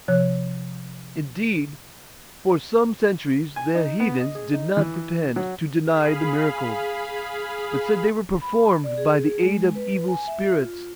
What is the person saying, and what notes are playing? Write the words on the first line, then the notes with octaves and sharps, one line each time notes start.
Indeed, for some centuries the heathens did not pretend to deny the miracles; but said they were performed by the aid of evil spirits.
C3 F3 C#5 F#6
G#5
D#4
B3
D#5
G#4
D#4
E3
F#3
G#4 F5 B5
B5
D5
G#4
G#4
G#3
B4
G#5
E5
F4